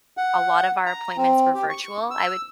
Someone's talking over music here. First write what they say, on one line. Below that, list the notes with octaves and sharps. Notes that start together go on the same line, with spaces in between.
a lot of our appointments were virtual, I would
F#5
A#5
C4
G4
C#6
E6